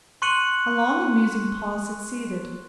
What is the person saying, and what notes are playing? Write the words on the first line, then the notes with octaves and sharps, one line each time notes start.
A long and musing pause succeeded.
C6 C#6 F#6 C#7 D#7 F#7